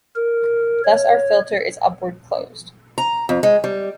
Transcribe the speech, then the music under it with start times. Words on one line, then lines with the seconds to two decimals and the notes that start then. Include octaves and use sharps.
Thus our filter is upward closed.
0.16 A#4
0.84 C#5
2.98 A#5
3.29 F2
3.43 G#3
3.64 G3